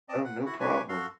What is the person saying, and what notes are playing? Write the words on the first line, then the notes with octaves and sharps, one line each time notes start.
Oh, no problem.
C4 D5 D#5 A5
F#5
E4 F#4 F#5
D4 G4 B4 C#5 G#5
F#4 A4 F5 C6